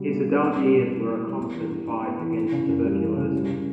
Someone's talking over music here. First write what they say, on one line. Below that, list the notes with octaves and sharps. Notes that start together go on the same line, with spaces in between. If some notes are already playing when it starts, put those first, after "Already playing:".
His adult years were a constant fight against tuberculosis.
Already playing: C#3 G3 F#4
B3
G3
A#3
G3
B2
E4
A#3
G3
B3
E3
G2
D4
B3
E3
E3
C#3
F#2
G3
E3
C#3
G3
C#3